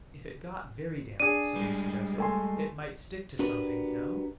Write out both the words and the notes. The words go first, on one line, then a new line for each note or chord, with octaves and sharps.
"If it got very damp," Sylvie suggested, "it might stick to something, you know."
D4 G#4 D#7
G3 G#3
A3 G#5 C6
D4 F#4 G4 A#4 B4 D5